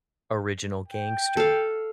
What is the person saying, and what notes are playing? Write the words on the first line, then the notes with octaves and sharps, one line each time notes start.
Original Gangster.
G5
A4 F5